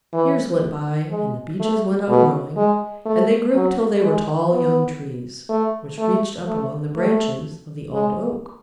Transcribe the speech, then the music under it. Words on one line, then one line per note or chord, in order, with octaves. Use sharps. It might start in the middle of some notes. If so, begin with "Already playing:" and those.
Years went by, and the Beeches went on growing, and they grew till they were tall young Trees, which reached up among the branches of the Old Oak.
E3
G#3
A3
B2
G#3
A3
F#3
G#3
B3
A3
A3
A3
A3
G#3